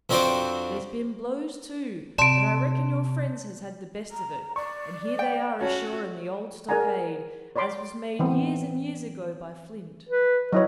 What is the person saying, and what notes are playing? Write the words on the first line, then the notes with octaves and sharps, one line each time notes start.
There's been blows too, and I reckon your friends has had the best of it; and here they are ashore in the old stockade, as was made years and years ago by Flint.
F2 C4 D4 F#4 C5 D5
C3 D5 A5 C6 D7 E7
A#5
D5 C#6
G5
C#4 F#4 A5
G#4 A#4 D5 F#5 G#5 A#5
C#5 D5 B5 C6 D6
E3 B3 C4
B4
F#3 E4 C#5 D#5